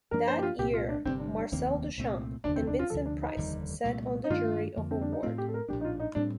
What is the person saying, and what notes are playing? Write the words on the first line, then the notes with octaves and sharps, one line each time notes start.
That year, Marcel Duchamp and Vincent Price sat on the jury of award.
G2 F3 A#3 D4 A#4
C5
G4
F4
C2 A#2 A3 C4 G4
F4
D4
G1 F2 C3 G3 C4
D4
D4
F1 D#2 D#3 A#3 C4
C2 A#2 A3 C4
F1 D#2 D3 D4
C4
D4
F4
D2 C3 F3 A4
D4
D#4
F1 D#2 D3 G3
C2 A#2 A3
D#4
G2 D#3 A3 D4 F4
F2 D3 F3 A#3
C4
D4
D#4
A2 A3 C4 F4
G4
A4
A#4
A#1 A2 A3 D4 G4
D#4
F4
D#4
A2 G3 C4 D4